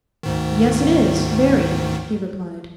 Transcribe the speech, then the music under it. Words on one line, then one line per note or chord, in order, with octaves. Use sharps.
'Yes, it is, very,' he replied.
D2 G#2 D#3